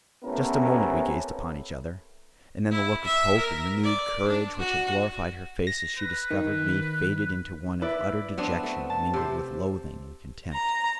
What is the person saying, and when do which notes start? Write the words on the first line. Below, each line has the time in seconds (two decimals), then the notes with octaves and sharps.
Just a moment we gazed upon each other, and then the look of hope and renewed courage which had glorified her face as she discovered me, faded into one of utter dejection, mingled with loathing and contempt.
0.23 C3 A3 B3 C#4 E4 A#4
2.71 E4
3.05 E5
3.38 A#4
3.83 D5
4.28 D4
4.58 F#4
5.67 A#6
5.98 B4
6.31 D#3
7.82 E4 B4 D5
8.38 B3 C4 D4
8.63 A3
8.90 A5
9.14 C3 C5
10.53 A#5